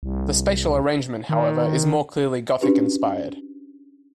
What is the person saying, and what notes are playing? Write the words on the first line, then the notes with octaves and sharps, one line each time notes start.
The spatial arrangement, however, is more clearly Gothic-inspired.
C2
D#3
C#4 D4 F#4 G4 B4